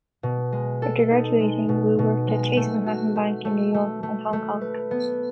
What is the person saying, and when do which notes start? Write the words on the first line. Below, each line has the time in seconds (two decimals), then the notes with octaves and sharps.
After graduating, Woo worked at Chase Manhattan Bank in New York and Hong Kong.
0.23 B2
0.52 G#3
0.82 A4
1.11 D#4
1.40 G#3
1.69 B2
1.99 B2
2.28 G#3
2.57 A3
2.86 F#4
3.16 A3
3.45 A3
3.74 A3
4.03 A3
4.33 A3
4.61 B4
4.91 B3